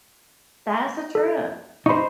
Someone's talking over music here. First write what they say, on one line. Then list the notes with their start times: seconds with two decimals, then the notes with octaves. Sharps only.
That's a trip.
1.15 A4
1.86 D#4 C5 B5 C#6